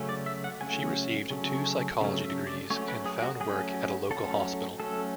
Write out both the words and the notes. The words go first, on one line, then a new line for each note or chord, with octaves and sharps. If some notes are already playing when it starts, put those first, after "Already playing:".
She received two psychology degrees and found work at a local hospital.
Already playing: C#3 F#3 A3 C#4
D5
E5
F#5
C#3 F#3 A3 C#4 G#5
C#3 F#3 A3 C#4
C#3 F#3 A3 C#4
E5
D5
F#3 A3 C#4 C#5
B4
G#4
F#4
F#3 A3 C#4 G#4
F#3 A3 C#4 A4
F#3 A3 C#4 A4